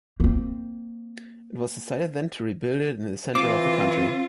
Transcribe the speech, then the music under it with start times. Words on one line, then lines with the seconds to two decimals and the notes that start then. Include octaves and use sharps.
It was decided then to rebuild it in the center of the country.
0.20 A#3 C4
3.35 E3 C4 F4 D6